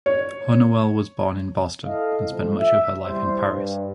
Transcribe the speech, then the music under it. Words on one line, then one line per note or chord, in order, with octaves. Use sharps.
Hunnewell was born in Boston and spent much of her life in Paris.
C#5
E4 A4 D#5 F5
F2
E5
G3 E4 C5
G2